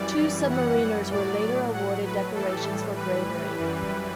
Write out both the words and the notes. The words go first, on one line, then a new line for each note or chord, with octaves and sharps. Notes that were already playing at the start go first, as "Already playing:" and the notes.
Two submariners were later awarded decorations for bravery.
Already playing: F#2 E3 G3 D5
F#5
A2 F#3 D5
F#5
B4
A2 E3 G3 A4
B4
F#2 E3 G3